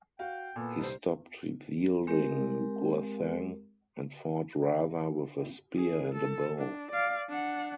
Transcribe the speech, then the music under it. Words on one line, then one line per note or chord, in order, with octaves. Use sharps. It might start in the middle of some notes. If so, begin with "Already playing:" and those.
He stopped wielding Gurthang and fought rather with a spear and a bow.
F#4 F5 G5
A#2 B3 A4
C2 C5
G#3 C4 G4 A#4
G#4
A4
D4
D5 F5
D4 F#5